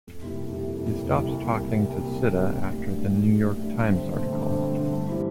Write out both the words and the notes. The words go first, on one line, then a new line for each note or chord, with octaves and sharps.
He stops talking to Sidda after the New York Times article.
F2
C3 G3 A#3 E4
F2
C3 G3 A#3 E4
F2
C3 G3 A#3 E4
F2
C3 G3 A#3 E4
C2
A#2 G3
C2
A#2 G3
C2
A#2 G3
C2
A#2 G3
A#1
A2 G3 D4
A#1
A2 G3 D4
A#1
A2 G3 D4
A#1
A2 G3 D4
G2
D3 A3 C4
G2
D3 A3 C4
G2
D3 A3 C4
G2
D3 A3 C4
G2
E3 G3 C4 E4